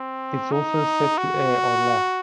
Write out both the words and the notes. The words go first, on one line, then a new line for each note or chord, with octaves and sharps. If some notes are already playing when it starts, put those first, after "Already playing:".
It's also set to air on Laff.
Already playing: C4
D#4
F#4